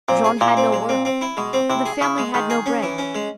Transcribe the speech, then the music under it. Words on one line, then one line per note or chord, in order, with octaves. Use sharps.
Jean had no work. The family had no bread.
A#2 C4
G#4
A#2 E4
C4
G#3
C4
C4
E4
B2 G#3
C4
C3 E4
G#4
C#3 E4
G#3
D#3 G#3
G#4
C#4
E3
C#4
G#3